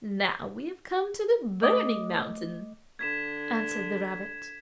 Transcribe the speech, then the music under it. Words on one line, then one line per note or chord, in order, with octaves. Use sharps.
"Now we have come to the 'Burning Mountain,'" answered the rabbit.
A3 D#5 D6 D#6
D3 G#6 B6 E7